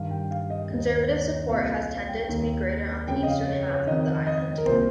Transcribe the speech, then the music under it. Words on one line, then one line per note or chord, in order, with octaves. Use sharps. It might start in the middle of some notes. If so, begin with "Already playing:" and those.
Conservative support has tended to be greater on the eastern half of the island.
Already playing: G2 D#3 F5
G5
F5
D#5
D#2 D#3 D#5
C#5
C2 A#2 F5
F5
F5
G5
D#2 D#3
F2 C#3 G5
D#5
F5
C#5
C#5
F2 D#3 D#5
D#5
A#4
C2 A#2 C5